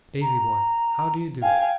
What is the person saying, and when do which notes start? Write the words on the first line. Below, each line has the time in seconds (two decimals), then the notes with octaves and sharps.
Davy boy, how do you do?'
0.22 A#5
1.42 F5 G5 G#5